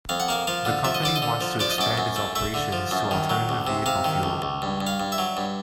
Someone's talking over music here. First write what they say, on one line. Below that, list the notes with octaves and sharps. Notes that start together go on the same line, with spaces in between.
The company wants to expand its operations to alternative vehicle fuel.
F2 F5
F#5
A#3 F5
F3 F5
D3
F3 E5
D#5
D3 D5
D#5
D3
F3
F3 D5
D#5
F#2 D5
F#2
A3
A3 E5
D3
F3
F#2
D#3
F#3
C#2
C3
C3 F5
D#3
C#2
C#2
G2
G2
F5
G2
E5
F#3
G2